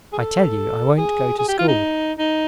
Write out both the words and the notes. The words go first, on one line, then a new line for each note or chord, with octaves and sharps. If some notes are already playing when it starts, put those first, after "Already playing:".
"I tell you I won't go to school."
G#4
A4
G#4
G#4
G4
F4
D#4
D#4